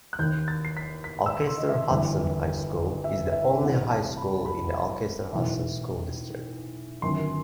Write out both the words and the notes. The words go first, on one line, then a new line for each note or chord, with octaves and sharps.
Alcester-Hudson High School is the only high school in the Alcester-Hudson School District.
F#6
D#2 D#3 G6
A6
C7
B6
B6
E6
C6
D#5
E5
G1 G2 E3
E5
E5
C2 C3 E3 F#5
A5
B5
B5
B1 A2 E3
G1 F#2 D#3 C6